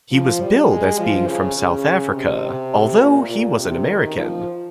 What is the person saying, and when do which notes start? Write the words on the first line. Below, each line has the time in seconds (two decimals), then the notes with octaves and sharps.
He was billed as being from South Africa, although he was an American.
0.12 F3
0.41 G3
0.70 G#3
0.99 F3
1.28 C#3
1.57 C#3
2.15 C3
3.01 A#2
3.30 A#2
3.59 C3
3.88 D#3
4.17 F3